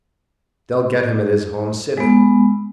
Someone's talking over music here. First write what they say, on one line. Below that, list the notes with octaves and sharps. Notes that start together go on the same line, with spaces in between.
"They'll get him at his home city."
G#3 B3